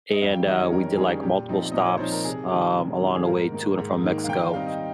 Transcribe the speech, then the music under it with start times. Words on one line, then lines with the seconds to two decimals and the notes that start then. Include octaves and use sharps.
and, uh, we did, like, multiple stops, um, along the way to and from Mexico,
0.13 D#5
0.22 F2 F5
0.33 G5
0.46 D#3 G3 C#4 D#5
0.60 C#5
0.72 F2 A#4
0.97 D#3 G3 C#4 G#4
1.23 A#2 G4
1.49 F3 C4 D#4
1.72 A#2 D#5
1.84 C#5
1.97 F3 C4 D#4 C5
2.12 A#4
2.25 C3 G#4
2.51 D#3 G3
2.76 C3
3.01 D#3 G3
3.15 G#4
3.27 G#2 A#4
3.52 D#3 A#3 D#4
3.78 G#2
4.04 D#3 A#3 D#4
4.24 F5
4.29 D#3 G5
4.41 F5
4.54 G3 C4 D#4 F5
4.67 D#5